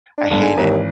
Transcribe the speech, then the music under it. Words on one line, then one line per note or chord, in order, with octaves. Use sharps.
I hate it.
D4
G1 G2 D3
G#5
G#1 D#2 E3